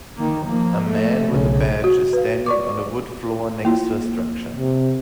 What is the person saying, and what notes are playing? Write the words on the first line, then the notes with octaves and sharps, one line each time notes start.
A man with a badge is standing on a wood floor next to a structure.
D#3 A#3
F3 A#3
A3
B1 C#3
F#4
B4 F5
D5 C#6 D6
A#3 E4 F4
C3